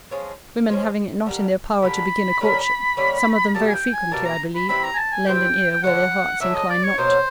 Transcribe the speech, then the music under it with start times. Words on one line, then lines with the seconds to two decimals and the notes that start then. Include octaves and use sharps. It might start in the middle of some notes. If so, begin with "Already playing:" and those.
Women having it not in their power to begin a courtship, some of them very frequently, I believe, lend an ear where their hearts incline not.
0.11 F3 G#3 C#4
0.69 F3 G#3 C#4
1.26 D3 G3 A#3
1.82 D3 G3 A#3 B5
2.41 D3 G3 A#3 C#4
2.97 D3 G3 A#3 C#4
3.55 B2 G3 A#3 A5
3.67 G#5
3.74 G5
3.93 G#5
4.11 B2 G3 A#3 A5
4.25 A#5
4.55 B5
4.68 E3 G3 C4 E4 B5
4.83 A#5
4.94 G#5
4.97 A5
5.11 G#5
5.26 E3 G3 C4 E4 G5
5.72 G5
5.83 D3 F#3 A3 D4 F#5
6.40 D3 F#3 A3 D4 E5
6.54 D#5
6.69 D5
6.83 C#5
6.98 B2 F#3 A#3 C#4 C5